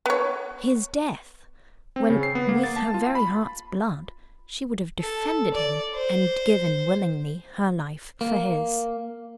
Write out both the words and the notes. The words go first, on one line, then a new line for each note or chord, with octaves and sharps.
His death! when with her very heart's blood, she would have defended him and given willingly her life for his.
B3 C#5
C4
C#3
C7
B3
A#3
A6
A5
F4
B5
A4
D5
C5
A#3